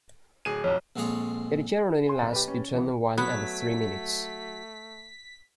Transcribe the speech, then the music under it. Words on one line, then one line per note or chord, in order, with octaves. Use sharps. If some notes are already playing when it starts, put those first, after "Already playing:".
It generally lasts between one and three minutes.
D1 G#4 D#7
B1 F2 C#5
A#1 F2 G#3 F4 G#4 C#5
G#5 C6
B1 A6
G4 B4
C#4
C2 C#3 E3 B3
F#3 A3 B3 B6